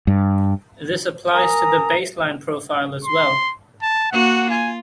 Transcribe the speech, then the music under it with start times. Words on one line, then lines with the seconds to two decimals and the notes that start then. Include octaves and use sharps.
This applies to the Baseline Profile as well.
0.07 G2
1.32 A#4 G#5 A#5 D#6
3.05 C6
3.82 A5
4.12 A#3 F#4 F#5
4.50 F4 G#5